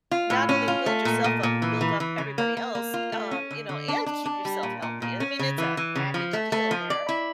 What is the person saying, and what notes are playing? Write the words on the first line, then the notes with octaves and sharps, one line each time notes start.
not only build yourself up, but build up everybody else, um, you know, and keep yourself healthy, I mean, it's a package deal there,
F4
A2
C#4
F4
A3
A#2
A#2
A#2
E3
E3
E3
C#3
A#3
A#3
A#3
F4
A3
C#4
D3
D3
D4
D4
D4
G3
A#2
A#2
A#2
C#4
C#3
E3
E3
C#3
F3
A3
A3
F3
D5
E4